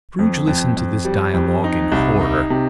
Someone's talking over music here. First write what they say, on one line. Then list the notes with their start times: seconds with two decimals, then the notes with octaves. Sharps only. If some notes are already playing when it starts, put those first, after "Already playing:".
Scrooge listened to this dialogue in horror.
0.19 F2
0.47 F2
0.77 F2
1.05 G3
1.34 F2
1.64 D#4
1.92 C2
2.21 D#4
2.50 C3